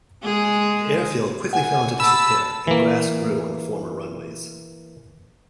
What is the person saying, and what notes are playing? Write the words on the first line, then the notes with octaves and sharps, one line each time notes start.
The airfield quickly fell into disrepair and grass grew on the former runways.
G#3 G#4
F#5 G#5
A5 B5 E6
E3 A#3